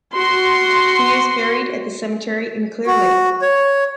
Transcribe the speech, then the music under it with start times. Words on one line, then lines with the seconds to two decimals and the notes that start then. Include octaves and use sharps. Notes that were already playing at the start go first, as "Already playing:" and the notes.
He is buried at the cemetery in Clear Lake.
0.15 F#4 C6
2.87 F#4
3.42 C#5